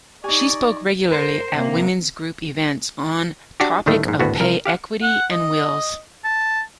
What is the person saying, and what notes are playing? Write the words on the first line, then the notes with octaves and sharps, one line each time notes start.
She spoke regularly at women's group events on topic of pay equity and wills.
D#4 G4 D5 G#5 C#6
A#4 C5
C3 A#3
D4 F#4 G4
D2 A2 D#3 G3 A3
A#1 G#2
G#1 D2 A2 B3 F#4
C2 A#4
G4 F5 F#5
F#5
D#5
A5